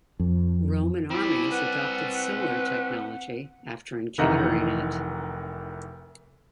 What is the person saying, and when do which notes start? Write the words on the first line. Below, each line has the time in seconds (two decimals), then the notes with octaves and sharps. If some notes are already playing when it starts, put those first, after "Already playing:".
Roman armies adopted similar technology after encountering it.
0.19 F2
1.10 C4 E4 D5 B5
1.52 B4 F#5
4.18 F1 D#3 E3 D#5 F#5 A#5